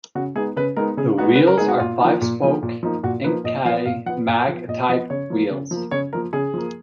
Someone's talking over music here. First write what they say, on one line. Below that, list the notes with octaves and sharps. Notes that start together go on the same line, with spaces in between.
The wheels are five-spoke Enkei mag type wheels.
C#3 F#4
G#3 B3 D#4 G#4
C#3 B4
G#3 B3 D#4 A#4
C#3 G#4
G#3 B3 D#4 F#4
C#3 B4
A#4
G#3 B3 D#4 G#4
F#4
A#2 F4
F3 A#3 D#4
A#2
F3 A#3 D#4
A#2
F3 A#3 D#4
A#2 F#4
F3 A#3 D#4 B4
A#2 D#5
F3 B3 F5
A#2 F5
F3 B3 F#5
A#2
F3 B3
A#2 D#5
F3 B3 D#5
C#3 C#5
F3 A#3
C#3
F3 A#3
C#3 C#5
F3 A#3 A#4
C#3 G#4
F3 A#3